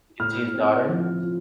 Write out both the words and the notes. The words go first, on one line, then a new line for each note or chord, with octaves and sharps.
you can see his daughter.
A2 F6
C4
F3
F4